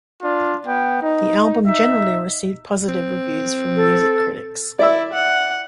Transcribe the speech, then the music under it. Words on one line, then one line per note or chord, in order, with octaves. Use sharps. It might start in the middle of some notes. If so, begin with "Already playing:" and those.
The album generally received positive reviews from music critics.
D4 F4
B3 G5
D#4
D#4 E5
C4
A4
E4 D5 E5 E6
F#5